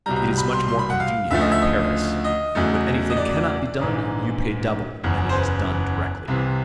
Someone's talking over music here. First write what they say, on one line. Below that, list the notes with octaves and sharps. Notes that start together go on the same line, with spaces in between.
"It is much more convenient at Paris,--when anything cannot be done, you pay double, and it is done directly."
C2 B2 G3 A#5
A#5
B5
C6
C6
B5
F#5
F5
D2 C#3 F3 A3 E5
D#5
E5
D#5
D#5
E2 C#3 F#3 A3
D#5
D5
A#1 G#2 E3
F#1 E2 C#3
C5
B4
C2 C3 E3